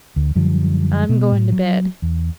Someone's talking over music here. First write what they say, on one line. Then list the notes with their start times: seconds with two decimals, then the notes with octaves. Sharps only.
"I'm going to bed."
0.16 D2
0.35 F#2 D3 F3 G3
1.09 B2 B3
1.32 A2
1.52 F#3
2.02 E2